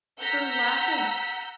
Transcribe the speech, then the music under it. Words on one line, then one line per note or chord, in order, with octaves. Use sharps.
for lack of
F#5 A#5 E6 G6 B6